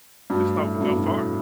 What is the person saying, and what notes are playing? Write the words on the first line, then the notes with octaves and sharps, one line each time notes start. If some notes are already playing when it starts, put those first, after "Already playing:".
it's no f no fun.
G2 A3 D4 F#4
A2
A2
G2 A3 D4 F#4
B2
A2